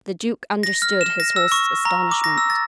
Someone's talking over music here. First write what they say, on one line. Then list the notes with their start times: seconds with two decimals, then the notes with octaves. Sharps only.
The duke understood his host's astonishment.
0.63 A#6
0.82 F6
1.01 E7
1.20 A#6
1.36 E6
1.52 C#6
1.85 A#5
2.11 D6
2.24 A#6
2.38 E6
2.50 A6